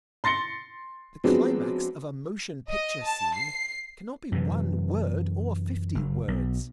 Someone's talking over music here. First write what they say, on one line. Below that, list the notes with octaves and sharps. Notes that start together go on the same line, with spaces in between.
The climax of a motion picture scene cannot be one word or fifty words.
C6 A6 A#6 C#7 G7
F3 F#3 G#3 B3 C4 D4
D#5
A5
C7
F#2 C3 E3
F#1
B1